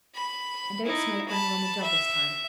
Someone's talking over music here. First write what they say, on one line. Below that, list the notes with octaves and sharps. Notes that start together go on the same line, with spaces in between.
And don't smoke when you're on the job this time.
B5
D#4 E4
A5 B5
E5